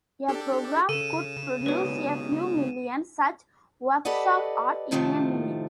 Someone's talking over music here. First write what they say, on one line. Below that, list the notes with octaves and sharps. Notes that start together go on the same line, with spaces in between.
A program could produce a few million such 'works of art' in a minute.
D4 G4 A4
C#3 A4 D#7 E7
G#2 B2 B4 C#5
G4 A4 B4 D5 D#5 F#5
A2 C3 D#3 F3 G3 A3